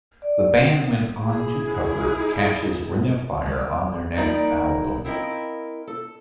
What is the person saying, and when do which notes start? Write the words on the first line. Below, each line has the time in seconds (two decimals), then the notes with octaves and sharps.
The band went on to cover Cash's "Ring of Fire" on their next album.
0.22 D5
1.22 E4 G#4
3.43 F2 G3
4.17 G3 A#3 D#4 E4 A#4 D5
5.05 C4 E4 A#4 D#5 F5
5.88 A4